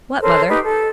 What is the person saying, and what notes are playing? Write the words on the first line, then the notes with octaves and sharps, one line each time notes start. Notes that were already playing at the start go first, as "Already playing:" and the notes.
"What, mother?"
A4 A#4 C5 C#5
D#4 G4 B4
A4